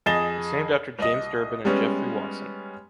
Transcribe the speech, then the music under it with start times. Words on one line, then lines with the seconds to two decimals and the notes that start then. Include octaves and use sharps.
It’s named after James Durbin and Geoffrey Watson.
0.06 F2 G#4 D#5 A6 E7 G7
0.99 C2 D#5
1.65 G3 G#3 B3 C#4